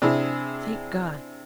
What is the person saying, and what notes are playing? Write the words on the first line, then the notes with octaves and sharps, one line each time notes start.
"Thank God!"
C3 D4 E4 G#4